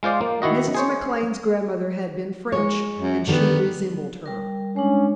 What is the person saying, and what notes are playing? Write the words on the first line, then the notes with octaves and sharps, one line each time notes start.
Mrs. McLane's grandmother had been French and she resembled her.
G#3 F4 C5 D5 F5
A#3
D#3 E4 F#4 D#5
G#4 C5 C#5
G#3 C#5
F#2
D3 D#3 G3 B3
G3 A#4
G#3 C#4 D4